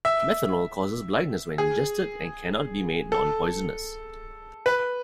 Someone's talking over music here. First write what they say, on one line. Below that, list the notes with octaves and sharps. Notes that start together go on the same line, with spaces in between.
Methanol causes blindness when ingested, and cannot be made non-poisonous.
E5
G#4
A4
B4